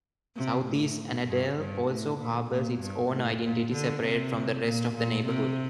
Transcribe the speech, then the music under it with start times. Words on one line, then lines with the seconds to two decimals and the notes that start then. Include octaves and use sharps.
Southeast Annadale also harbors its own identity separate from the rest of the neighborhood.
0.36 C3
0.66 A2
1.27 G2
1.58 G2
1.88 A2
2.19 A#2
2.50 A#2
2.81 G2
3.10 A2
3.42 A#2
3.73 D3
4.03 C3
4.65 A#2
4.95 A#2
5.26 C3